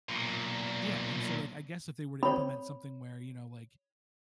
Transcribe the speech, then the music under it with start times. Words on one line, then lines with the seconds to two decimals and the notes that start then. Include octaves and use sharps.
Yeah, and so, like, I guess if they were to implement something where, you know, like,
0.09 B1 A#2
2.23 C4 C#5 B5